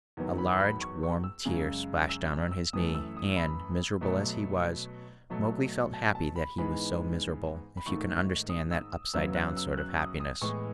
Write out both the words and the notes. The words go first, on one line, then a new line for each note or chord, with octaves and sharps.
A large, warm tear splashed down on his knee, and, miserable as he was, Mowgli felt happy that he was so miserable, if you can understand that upside-down sort of happiness.
E2 D#3 F#3 B3
B5
B5
C#6
C#6
E6
F#2 C#3 G#3
E6
E6
F#2 E3 A3 D#6
E6
D#6
B5
B2 F#3 A3
B2 F#3 A3
A5
A5
B5
G#2 E3 G#3 B3 B5
B5
G#2 D#3 A3 C#6
D#6
E6
F#2 C#3 F#3 B3 E6
F#6
E6
F#6
D#6
D#6
A2 E3 G#3 B3 C#6